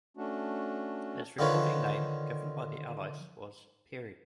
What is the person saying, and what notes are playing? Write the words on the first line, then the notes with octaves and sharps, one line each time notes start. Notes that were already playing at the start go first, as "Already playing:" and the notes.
Its reporting name given by the Allies was "Perry".
A3 C#4 D4 F#4
D3 D#3 F4 B4 C#5